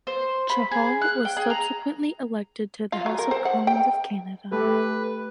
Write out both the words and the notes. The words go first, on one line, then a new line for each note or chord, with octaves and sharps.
Chahal was subsequently elected to the House of Commons of Canada.
C5
B5
G#4
F#6
G5
G#4
A#5
F4
F#3
A#4
C5
F#5
G5
A3 G4 A4 B4